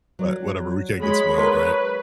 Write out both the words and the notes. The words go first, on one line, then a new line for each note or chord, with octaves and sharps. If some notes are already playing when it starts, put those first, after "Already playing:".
But whatever, we can't get spoiled, right?
F#3 D5
G#3 C#5 B5
A#4 B4 C6